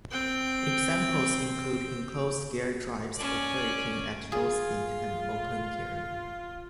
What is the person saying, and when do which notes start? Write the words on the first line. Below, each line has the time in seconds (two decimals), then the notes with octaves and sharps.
Examples include enclosed gear drives operating at low speeds and open gearing.
0.11 C4 G5
3.16 C#4 D5
4.32 F4 G#4